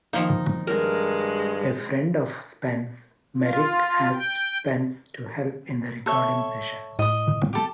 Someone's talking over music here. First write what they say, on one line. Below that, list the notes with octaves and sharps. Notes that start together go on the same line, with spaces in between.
A friend of Spence, Merrick asked Spence to help in the recording sessions.
D#3 F3 A#3 D#4
G2 G#3 A#4
F4
G5
A4 C#5 E5
A2 D#5 D#6
G4 A4